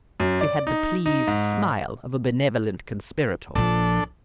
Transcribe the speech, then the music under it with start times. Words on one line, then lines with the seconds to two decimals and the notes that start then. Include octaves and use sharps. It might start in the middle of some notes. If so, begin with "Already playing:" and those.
She had the pleased smile of a benevolent conspirator.
0.20 F#2
0.41 D5
0.67 D#4
1.06 D#4
1.27 G#2
3.55 A#1 F3 D4 A4